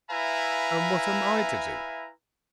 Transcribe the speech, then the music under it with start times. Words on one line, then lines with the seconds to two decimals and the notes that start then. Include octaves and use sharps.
'And what am I to do?'
0.10 E4 B4 E5 F5 G#5 A#5